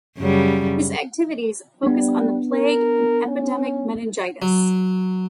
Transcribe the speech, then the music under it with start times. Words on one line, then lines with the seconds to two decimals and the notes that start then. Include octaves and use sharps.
His activities focus on the plague and epidemic meningitis.
0.18 F#2 C#3 G3
1.83 G3 B3 D4
2.53 A#4
3.29 C#4
4.42 F#3